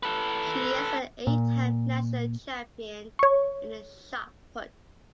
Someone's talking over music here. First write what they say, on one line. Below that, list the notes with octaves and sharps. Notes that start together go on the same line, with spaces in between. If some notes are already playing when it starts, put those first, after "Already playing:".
She is an eight time national champion in the Shot Put.
A4 B4
A#2
C#5 C#6